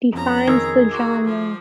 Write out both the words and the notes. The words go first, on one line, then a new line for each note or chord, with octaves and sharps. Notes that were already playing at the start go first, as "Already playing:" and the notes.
Defines the genre.
F2 F3 B3 C#4 A#5
D#3 G#4 E6
F#4 A#5 C6 D6
F3